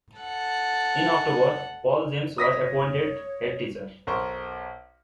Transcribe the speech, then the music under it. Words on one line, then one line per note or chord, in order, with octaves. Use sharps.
In October, Paul James was appointed Headteacher.
A4 F#5
C#5 D#6 A#6 B6
B1 A#4 C5 C#6